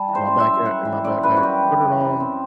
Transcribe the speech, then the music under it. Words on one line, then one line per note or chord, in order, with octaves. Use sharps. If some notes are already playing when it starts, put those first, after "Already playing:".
in my back a in my backpack, put it on,
Already playing: G3 A5
E3
C5
F#2
E5
F#2
G3 F#5
E3
F#2 D5
F#2 B4
F#4
G3 G4
E3
F#2
F#2
C4